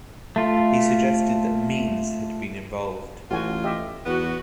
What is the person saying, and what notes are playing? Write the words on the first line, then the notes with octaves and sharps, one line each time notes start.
He suggested that Means had been involved.
A3 F4
A1 F4 F#4 G#5
G4 D#5 E5
E2 B3 F#4